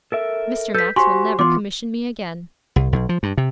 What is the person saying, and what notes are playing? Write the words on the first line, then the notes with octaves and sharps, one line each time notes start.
'Mr. Max will never commission me again.'
A4 A#4 E5
A4 B4 G6 B6
F#4 G4 C5 G#5 C6 C#6
E3 B3 F4 C6 D6
C2
B1
F3
G2
C3